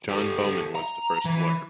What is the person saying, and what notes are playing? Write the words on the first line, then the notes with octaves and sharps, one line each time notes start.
John Bowman was the first lawyer.
G4 A4
A#5
E3